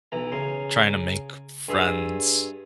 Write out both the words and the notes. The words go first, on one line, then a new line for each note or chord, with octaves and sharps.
trying to make friends
B1 E3 A#5
C#3 A#5 C6
G2 G#4 E5 C6